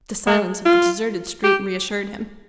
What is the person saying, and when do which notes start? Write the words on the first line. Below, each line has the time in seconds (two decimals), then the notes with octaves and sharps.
The silence of the deserted street reassured him.
0.27 G#3
0.65 F4
1.44 G4